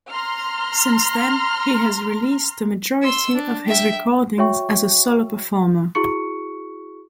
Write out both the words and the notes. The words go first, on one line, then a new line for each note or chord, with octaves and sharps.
Since then he has released the majority of his recordings as a solo performer.
A#5 C6 F6
C6 E6
D4
E5 G5
F#4 C#5 E5 G5 C#6
E4 F#4 G#4 C#6 C#7